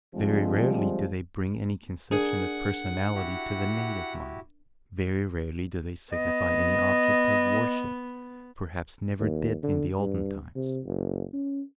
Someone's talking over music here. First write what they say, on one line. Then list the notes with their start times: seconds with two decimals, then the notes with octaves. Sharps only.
Very rarely do they bring any conception of personality to the native mind, very rarely do they signify any object of worship, perhaps never did in the olden times.
0.14 D3 F3 G3 G#3 C4
2.11 D4 G#4 A#4 F#5
3.15 E4 F#4 G4
6.12 B3 D#5
9.20 D#2
9.63 D3
9.99 G2
10.55 C3
10.85 F#1
11.33 C#4